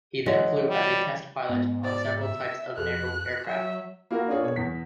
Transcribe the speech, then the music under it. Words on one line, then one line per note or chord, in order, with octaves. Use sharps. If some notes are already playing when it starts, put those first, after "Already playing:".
He then flew as a test pilot on several types of naval aircraft.
E3 F#3 G#3
G3
G#2 B3
C5 D5
E5
F2 G#4 A4 F#6
F#3 E5
A#3 E4 F#4 A#4
D4 F4 G#4 C#5
B2 C#5
E2 B6